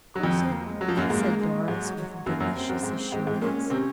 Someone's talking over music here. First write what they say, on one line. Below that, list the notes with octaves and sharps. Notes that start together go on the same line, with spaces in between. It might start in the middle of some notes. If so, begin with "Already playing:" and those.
"Of course not," said Doris, with delicious assurance.
F#3
F2 F3
C4
A#3
G#3
F#3
F3
F#2 F#3 A#3
G#2 G#3
G#3
G#2 F#3 G#3
F#3
F#2 F#3 A#3
F#2 F#3
C4
F#2 F#3
G#2 G#3
G#2 G#3
G#2 G#3
C4
A#2 A#3 C#4
C3 C4